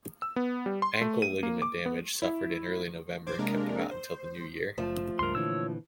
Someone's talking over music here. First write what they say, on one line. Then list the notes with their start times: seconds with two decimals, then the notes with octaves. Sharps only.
Ankle ligament damage suffered in early November kept him out until the new year.
0.22 E6
0.36 B3
0.66 G3
0.82 C6
1.01 A3
1.22 D#7
1.43 A#3
1.62 D6
1.86 B3
2.22 E4
3.26 A#1 C5 D6 G#6
3.38 C3 G#3 A#3 D4 A#4
3.91 C5
4.78 F#1 F3 A3
5.19 C#2 G2 A#4 C6
5.35 A#2 D3 E3 C#5 E6